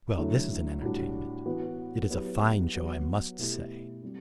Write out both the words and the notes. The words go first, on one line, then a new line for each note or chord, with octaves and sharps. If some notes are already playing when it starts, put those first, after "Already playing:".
Well, this is an entertainment, it is a fine show, I must say!
D3 F#3 A3 E4
A2 G3 D4 F#4
E3 B3 F#4
F#3 B3 E4 G4
F#3 B3 F#4
B2 A3 E4 G4
G3 C4